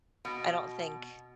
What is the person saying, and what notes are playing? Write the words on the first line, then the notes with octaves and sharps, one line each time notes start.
I don't think
B2